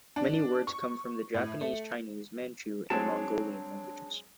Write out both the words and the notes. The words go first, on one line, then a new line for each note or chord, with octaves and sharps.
Many words come from the Japanese, Chinese, Manchu and Mongolian languages.
D4
C#6
A2
A3
F#3 G#3 C4 D4 C#5 A5